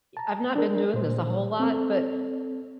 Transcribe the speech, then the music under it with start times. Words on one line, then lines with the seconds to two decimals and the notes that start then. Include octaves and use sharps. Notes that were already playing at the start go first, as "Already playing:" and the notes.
I've not been doing this a whole lot, but
0.17 A5 A#5
0.55 D4 A#4
0.94 A#2 C5
1.59 C4 A4